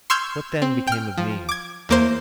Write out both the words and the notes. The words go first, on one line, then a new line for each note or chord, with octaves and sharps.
What then became of me?
C6 C#6 E6 F6 G6 G#6
C4
G5 F6
F3
D6 G#6
E2 A#3 C5